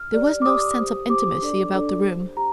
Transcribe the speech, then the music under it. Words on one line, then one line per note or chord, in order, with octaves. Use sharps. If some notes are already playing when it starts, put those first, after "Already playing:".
There was no sense of intimacy about the room.
Already playing: F6
G4 D5
D6
G4 D5 D#6
G4 C5
G4 C5 D6
D4 A4 D5
D4 A4 D5
G4 C5
G4 A#5